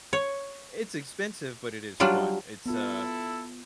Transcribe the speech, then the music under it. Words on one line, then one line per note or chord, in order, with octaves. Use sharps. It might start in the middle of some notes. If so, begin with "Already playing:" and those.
It's expensive, but it is fun, it's, uh
C#5
F#3 G3 D4 F4
B3 E4 F4 A4